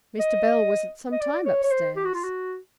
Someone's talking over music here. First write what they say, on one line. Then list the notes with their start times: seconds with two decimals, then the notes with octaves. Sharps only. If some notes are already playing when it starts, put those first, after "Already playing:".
Mr. Bell was some time up-stairs.
0.20 D#5
1.12 D#5
1.21 D5
1.46 C#5
1.64 C#5
1.72 C5
1.96 G4
2.05 F#4
2.15 F4
2.24 F#4